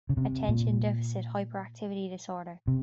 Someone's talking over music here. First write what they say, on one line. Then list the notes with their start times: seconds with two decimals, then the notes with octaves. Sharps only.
Attention deficit hyperactivity disorder.
0.09 C#3
0.17 C3
0.49 A#2
2.68 C3